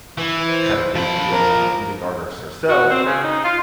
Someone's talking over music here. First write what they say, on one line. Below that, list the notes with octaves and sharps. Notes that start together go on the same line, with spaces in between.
kinda debut as, like, a music artist herself,
E3
C5
F3 B5
A#4
F#4
C4
C#3
D#4
F4